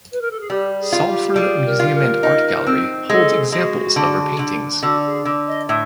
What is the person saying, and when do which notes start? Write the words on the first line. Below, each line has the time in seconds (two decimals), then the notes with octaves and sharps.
Salford Museum and Art Gallery holds examples of her paintings.
0.11 B4
0.21 A#4
0.30 A4
0.39 G#4
0.49 G3 G4
0.79 G#4
0.93 F4
1.08 G4
1.36 G3 G#4
1.65 A#4
1.79 F4
1.94 A#4
2.23 D#4
2.67 C4
3.09 G#3 A4
3.52 G#3 F#4
3.96 D3
4.39 D3
4.82 D3 F#4
5.05 G#4
5.25 D3
5.47 D#5
5.69 A2 E5